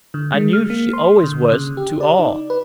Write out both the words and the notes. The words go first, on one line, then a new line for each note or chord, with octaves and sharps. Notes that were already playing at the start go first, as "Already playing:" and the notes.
I knew she always was, to all.
D3
G#3
F6
A#3
C6
D3
C#3
G4
D5
D#4
B4